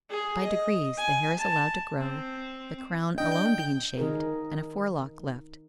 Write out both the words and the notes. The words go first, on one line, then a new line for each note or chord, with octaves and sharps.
By degrees the hair is allowed to grow, the crown alone being shaved, and a forelock left.
G#4
D#5
G#5
A5
C4
D4 D#5 G5 G6
D#3 D#4 G#4 A#4